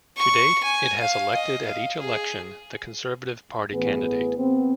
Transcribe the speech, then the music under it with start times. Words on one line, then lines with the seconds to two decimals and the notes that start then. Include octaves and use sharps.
To date it has elected at each election the Conservative Party candidate.
0.17 C#6
0.64 G#5
1.01 F5
1.35 D#5
1.66 F5
2.00 G#4
3.73 A1 B3 G#4 B4
4.37 B3 C4